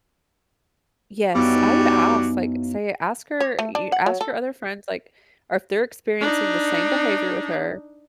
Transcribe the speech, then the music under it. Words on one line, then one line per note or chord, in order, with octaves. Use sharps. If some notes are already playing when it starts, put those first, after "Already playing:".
Yes, I would ask, like, say ask her y ask your other friends, like or if they're experiencing the same behavior with her,
F#2 F#3 G3 B3 D#4 E4 D5
C#5
A3
D4
F#5
F#3
A4
D4 D#4